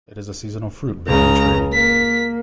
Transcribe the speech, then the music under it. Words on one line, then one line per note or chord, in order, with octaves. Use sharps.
It is a seasonal fruit bearing tree.
C#2 C#3 A#5
A#3 B6